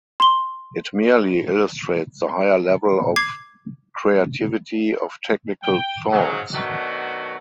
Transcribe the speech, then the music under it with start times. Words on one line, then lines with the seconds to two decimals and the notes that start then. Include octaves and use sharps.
It merely illustrates the higher level of creativity of technical thoughts.
0.20 C6 G7
3.16 D6 G#6 C7
5.63 G5
6.11 G#2 C#3 F#3
6.53 B2 D#3 F#3 A3 D4 F#4